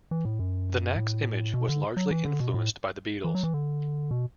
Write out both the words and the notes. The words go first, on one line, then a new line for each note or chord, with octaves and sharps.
The Knack's image was largely influenced by the Beatles.
E3
A2
F#2
A2
B2
D3
F#3
E3
D3
B2
A2
E3
F#3
E3
D3
B2